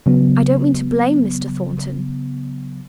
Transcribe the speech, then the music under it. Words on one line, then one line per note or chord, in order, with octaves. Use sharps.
I don't mean to blame Mr. Thornton.
C#3 F#3 B3